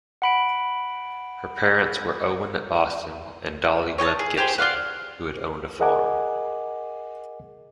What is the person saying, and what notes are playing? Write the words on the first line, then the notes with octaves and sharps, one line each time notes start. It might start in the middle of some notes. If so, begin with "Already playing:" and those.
Her parents were Owen Boston and Dollie Webb Gibson who had owned a farm.
F#5 B5 D7
C#5 D#5 G5 A5
G#4
G4 G#4 C5
F4 D5 F5 F#5
G#4 A#4 D#5 F#5 G#5 D6